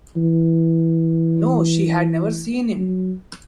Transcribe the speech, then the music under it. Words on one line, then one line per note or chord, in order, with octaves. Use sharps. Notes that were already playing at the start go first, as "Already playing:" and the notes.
No, she had never seen him.
E3
F#3